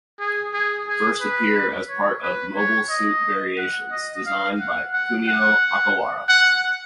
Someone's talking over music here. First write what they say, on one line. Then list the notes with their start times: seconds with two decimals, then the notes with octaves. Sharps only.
First appear as part of Mobile Suit Variations, design by Kunio Okawara.
0.20 G#4
0.54 G#4
0.88 G#4
1.21 B4
1.89 C#5
2.23 B4
2.56 C#5
2.90 D#5
3.58 F#5
3.91 D#5
4.26 F5
4.60 F#5
4.93 F#5
5.27 F#5
6.29 F#5